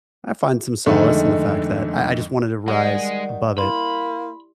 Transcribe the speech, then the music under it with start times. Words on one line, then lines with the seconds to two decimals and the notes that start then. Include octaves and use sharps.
I find some solace in the fact that I I just wanted to rise above it,
0.86 F2 D3 D#3 G#3 A3
2.68 D#3 G3 G#3 F#5
3.58 A#3 E4 B5 C6